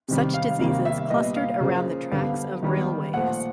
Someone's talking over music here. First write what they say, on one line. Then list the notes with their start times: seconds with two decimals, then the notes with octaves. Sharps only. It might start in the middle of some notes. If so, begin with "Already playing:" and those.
Such diseases clustered around the tracks of railways.
0.08 C3 D#3 G3
0.34 F5
0.59 C3 D#3 G3 A#3 F5
0.85 E5
1.10 A#2 G3 B3 D#5
1.36 F5
1.60 C#3 F3 A#3
2.12 D3 G3 B3 F5
2.63 D#3 G3 B3
3.14 A#2 F3 A3 F#5